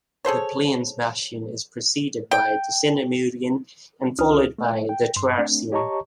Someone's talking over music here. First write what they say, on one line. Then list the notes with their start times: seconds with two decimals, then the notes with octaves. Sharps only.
The Pliensbachian is preceded by the Sinemurian and followed by the Toarcian.
0.25 G#4 A4 C5 C#5
2.31 G5
4.19 C#2 C#4 D4 F4 D#6 F6
4.59 A3
4.89 G5
5.16 G2 C6
5.38 A3 C4 D4
5.72 G4 C#5 D#5 A5 A#5 C#6